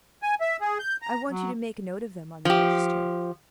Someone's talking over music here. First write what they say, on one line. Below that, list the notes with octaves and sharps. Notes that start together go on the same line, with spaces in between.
I want you to make a note of them on the register.
G#5
E5
G#4
G6
A#5
F#3
F3 G4